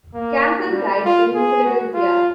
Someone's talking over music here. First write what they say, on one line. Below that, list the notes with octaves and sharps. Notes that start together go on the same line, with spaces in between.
Campbell died in Philadelphia.
A#3
G3
F4
G#4
F#4
F4